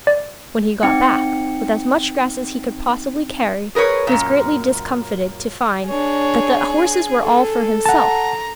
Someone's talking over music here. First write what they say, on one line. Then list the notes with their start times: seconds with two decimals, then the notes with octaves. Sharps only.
When he got back, with as much grass as he could possibly carry, he was greatly discomfited to find that the horses were all for himself.
0.07 D5
0.83 C4 D#4 G5 C#7
3.75 G#4 A#4 B4 C#5
4.07 F#2 A#2
5.88 D4 G#4 C#5
7.22 A4
7.86 F#5 A5 A#5